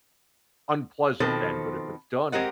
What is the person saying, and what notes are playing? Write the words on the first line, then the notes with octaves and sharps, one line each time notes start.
unpleasant then, but if it's done
B2 D#3 F3 C4 A4
G#3 C4 G4 A#4 D#5 F#5